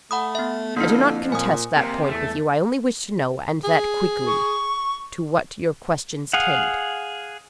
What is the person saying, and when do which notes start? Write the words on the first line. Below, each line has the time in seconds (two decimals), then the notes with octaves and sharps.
"I do not contest that point with you; I only wish to know, and that quickly, to what your questions tend?"
0.11 A3 F#5 B5 D#6
0.35 B3 E5
0.77 F2 D3 A#3 E4
1.32 A#2 G#5 D#6
1.75 C3 A#3
2.09 E2 A3
3.64 G#4
4.27 C#6
6.33 G#4 F5 F#5